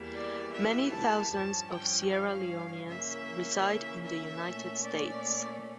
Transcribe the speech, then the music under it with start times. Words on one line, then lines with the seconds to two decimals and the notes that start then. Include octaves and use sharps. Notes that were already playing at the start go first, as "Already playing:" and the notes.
Many thousands of Sierra Leoneans reside in the United States.
Already playing: E2 E3 G3 A#3
0.14 D5
0.53 E5
0.92 A5
1.31 G2 F3 C#4 A5
1.70 G5
2.09 F5
2.88 C#3 E3 A#3 C#4 E5
4.05 E5
4.44 A#2 A3 C#4
4.83 D5